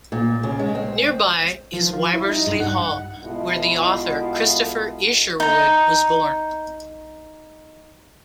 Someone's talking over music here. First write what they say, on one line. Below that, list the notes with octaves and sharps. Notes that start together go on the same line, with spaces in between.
Nearby is Wybersley Hall, where the author Christopher Isherwood was born.
A#2
C#3
G#3
C4
F3
F4
E4
D#4
G2
F#5
B2 G#3 E4 F4 A4
D#4 A#5